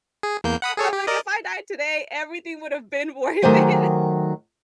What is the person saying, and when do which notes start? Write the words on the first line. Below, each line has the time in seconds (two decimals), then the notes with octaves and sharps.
I'm like, "If I died today, everything would've been worth it"
0.23 G#4
0.44 E2 A#3 G6
0.62 F#5 B5 D#6
0.77 G#4 A4 C#5
0.93 G4
1.07 A#4 D5 D#5
3.42 D#3 F#3 A3 G4 C5 G#5